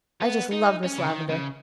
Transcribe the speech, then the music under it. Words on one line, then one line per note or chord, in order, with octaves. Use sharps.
I just love Miss Lavendar.
B3
D#4
C#4
C#3
D#3
C#3